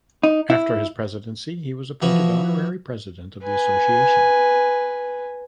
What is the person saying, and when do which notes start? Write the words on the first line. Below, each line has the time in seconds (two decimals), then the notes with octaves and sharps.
After his presidency he was appointed Honorary President of the Association.
0.23 D#4
0.50 E4
2.02 E3 F3 F#4 B4 A#5
3.43 B4 G#5